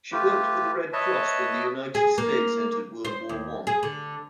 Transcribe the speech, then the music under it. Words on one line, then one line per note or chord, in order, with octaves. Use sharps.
She worked for the Red Cross when the United States entered World War One.
A3 F4 G4 B4
B4 C#5 D#5 E5 A5
G#4
A#3
C5
D#2
G#4
D3